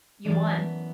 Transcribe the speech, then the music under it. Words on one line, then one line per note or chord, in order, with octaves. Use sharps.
You won.
F#2 E3 D4 D5
B3